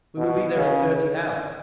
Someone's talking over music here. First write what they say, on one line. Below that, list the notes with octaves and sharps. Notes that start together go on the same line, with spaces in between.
We will be there in thirty hours.
B2
C#3